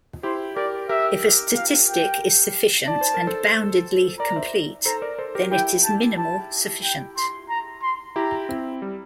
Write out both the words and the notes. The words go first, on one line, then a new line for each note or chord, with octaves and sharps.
If a statistic is sufficient and boundedly complete, then it is minimal sufficient.
E4 G4 C5
G4 A#4 D5
G4 A#4 E5
F5
G5
D5 A5
C5
A#4
A4 C5
A#4 D5 A#5
C5 E5
A4 C5 A#5
A#4 D5
A4 C5
G4 A#4
E4 G4 G5
A5
A5
G5
C6
A#5
C6
E4 G4 A#5
C4 E4
G3